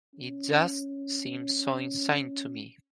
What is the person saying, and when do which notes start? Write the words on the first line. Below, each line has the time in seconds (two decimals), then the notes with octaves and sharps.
It just seems so insane to me.
0.14 C#4